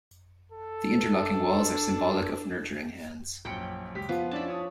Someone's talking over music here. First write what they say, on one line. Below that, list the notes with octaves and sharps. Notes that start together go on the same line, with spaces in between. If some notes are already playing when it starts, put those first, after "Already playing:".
The interlocking walls are symbolic of nurturing hands.
A4
D4
A#1 F#2 G5 B5 C#7
C#2 G4 B6
F3 B3
C#4 D4 E4 A5 B5
C#5 D#6